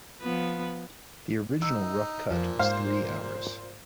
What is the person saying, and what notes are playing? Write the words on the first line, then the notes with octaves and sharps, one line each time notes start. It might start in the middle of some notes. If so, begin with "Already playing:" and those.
The original rough cut was three hours.
F3 B3 B4
D#4 E6
F2 A#2 F3
G#2 C5 F5